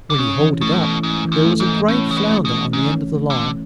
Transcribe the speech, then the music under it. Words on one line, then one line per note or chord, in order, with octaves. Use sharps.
When he hauled it up there was a great flounder on the end of the line.
D3
C#3 C#4
E3
B2 A3
A2
B2 E3
G#2 C#4
E3
F#2
A3
G#2
E3
A2 C#4
C#3 E3
B2
A3
B2
E3
G#2 C#4
E3
A3
D3
E3